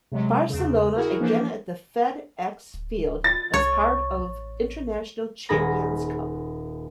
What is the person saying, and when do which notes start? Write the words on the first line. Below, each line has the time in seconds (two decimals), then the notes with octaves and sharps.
Barcelona again at the FedExField as part of International Champions Cup.
0.12 C3 F#3 G#3
0.50 E2 C#3
0.96 E4 F#4 G#4 A#4
1.20 E3 F3 A#3 D4
2.74 D1
3.24 A6
3.54 C2 C#5
4.19 A1
5.49 D#1 D#4 G#4 B5 A#6